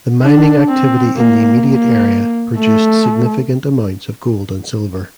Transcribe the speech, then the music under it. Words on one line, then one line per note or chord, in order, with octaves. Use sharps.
The mining activity in the immediate area produced significant amounts of gold and silver.
D4
C4
A#3
A#3
A3